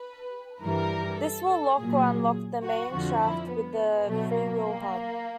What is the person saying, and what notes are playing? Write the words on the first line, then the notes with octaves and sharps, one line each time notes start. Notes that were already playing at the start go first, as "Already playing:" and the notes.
This will lock or unlock the main shaft with the freewheel hub.
Already playing: B4
G2 E3 G3 A#4
A4
A#2 F#3 G#4
F#4
F2 D3 F3 F#4
E4
B3
B2 F#3 A3
A#3